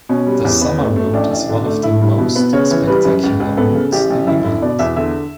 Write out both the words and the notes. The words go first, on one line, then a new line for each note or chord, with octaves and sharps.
The Summer Road is one of the most spectacular routes in England.
B2 C#4
G3
E2
B3
A3
A3
A1 D4
A1
D3
A3
A3 E4
G2
B2
B3
C#3 C#5
E3
G3 B4
F#2
C#2
C#2
B3 A4
C#3
A1 G4
A1
F#2 E4
D3 E4
B2 D5
E2 E5
D3 E5